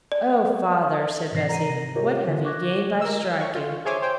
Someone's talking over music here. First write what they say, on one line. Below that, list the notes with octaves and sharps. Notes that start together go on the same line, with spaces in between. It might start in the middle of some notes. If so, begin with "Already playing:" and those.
'O, father!' said Bessy, 'what have ye gained by striking?
D5
G#2 C3 E3 A#6 C7
A#5 D#7
C3 A#6
F4 G4 A#4 C#5 D#5
D3 F4
C#6 D6 F#6 G#6 A#6
A#4 E6
C#6
F4
G#4 C5 C#5 E5 G#5 D6
C5 G5